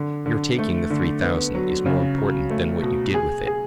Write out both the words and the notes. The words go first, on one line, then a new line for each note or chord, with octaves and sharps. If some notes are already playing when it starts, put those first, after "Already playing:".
Your taking the three thousand is more important than what you did with it.
Already playing: D3
D3
A3
D3
B3
F#3
C#3
F#3
A3
B2
G#4
G#4